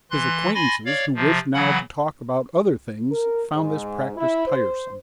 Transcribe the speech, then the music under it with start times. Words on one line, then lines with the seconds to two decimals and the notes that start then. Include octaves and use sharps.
His acquaintances who wished now to talk about other things found this practice tiresome.
0.11 E3 C6 F#6
0.55 G#5 B5 C6 A6 A#6
0.86 C#5 D5 F5
1.15 C3 F3
1.54 C#3 E3 F#3 F#5 B5
3.11 A#4
3.54 G#2
4.16 E4
4.47 C5